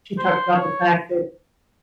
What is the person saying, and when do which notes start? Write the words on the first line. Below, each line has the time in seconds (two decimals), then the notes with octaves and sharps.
she talked about the fact that
0.18 C5
0.54 C#5